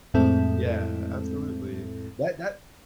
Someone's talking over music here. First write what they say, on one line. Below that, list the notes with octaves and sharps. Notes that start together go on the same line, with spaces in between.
Yeah. Absolutely. That that
F2 A2 G#3 C4 E4 A4